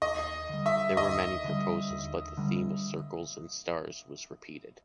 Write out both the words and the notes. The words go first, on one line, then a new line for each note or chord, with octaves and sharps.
There were many proposals, but the theme of circles and stars was repeated.
D#2 D#5
D3 G3
E5
D#2 D#5
D3 G3
D#2
D3 G3